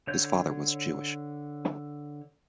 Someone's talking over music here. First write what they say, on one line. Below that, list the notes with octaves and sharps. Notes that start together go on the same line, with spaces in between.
His father was Jewish.
D3 C#5 G6